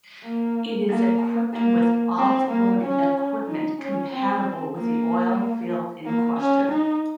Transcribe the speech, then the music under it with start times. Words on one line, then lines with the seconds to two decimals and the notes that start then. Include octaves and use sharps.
It is equipped with off-loading equipment compatible with the oil field in question.
0.24 A#3
0.89 A#3
1.52 A#3
2.18 C4
2.49 A#3
2.81 C#4
3.46 D#4
3.79 C#4
4.11 C4
4.76 A#3
6.05 A#3
6.37 C#4
6.69 D#4